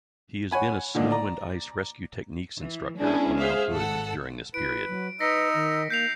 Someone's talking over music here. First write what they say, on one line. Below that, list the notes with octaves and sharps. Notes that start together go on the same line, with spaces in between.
He has been a snow-and-ice rescue techniques instructor on Mount Hood during this period.
C#5 F#5 G#5 B5
A#2 D3 D#3 A#3 D4 D#4
D5 A#5
E3
G#3 B3 C#4 D4 E4 G#4
G#4 C5 E5 F5
G#1 G#2 A4 F#5 E6 F#6
E4 B4 D7
F#3
D#4 B4 D#5 E6 A#6 B6 C#7
D#3
A#3 G6 C7 F7